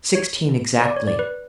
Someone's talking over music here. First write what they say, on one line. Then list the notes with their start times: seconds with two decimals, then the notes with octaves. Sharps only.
"Sixteen, exactly."
0.15 C#5
0.85 D5
0.97 C#5
1.07 D5
1.19 B4